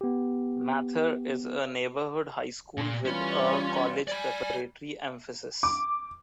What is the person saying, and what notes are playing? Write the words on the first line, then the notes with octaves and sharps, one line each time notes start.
Mather is a neighborhood high school with a college preparatory emphasis.
B3 G4
A#2
E3 G3 C#4 F4
D5 G#5 B5
D6